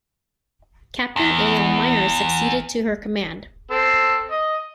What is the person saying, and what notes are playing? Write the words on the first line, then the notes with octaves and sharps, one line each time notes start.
Captain A. L. Myers succeeded to her command.
E2
C4 A4 E6
D#5